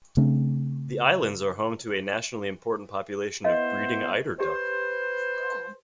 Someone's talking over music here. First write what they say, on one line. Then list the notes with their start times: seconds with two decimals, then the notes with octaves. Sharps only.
The islands are home to a nationally important population of breeding eider duck.
0.17 C#3 A3 C4 D4
3.44 B3 E4 C5 D#5 F5
4.40 G4 B4 C5 D5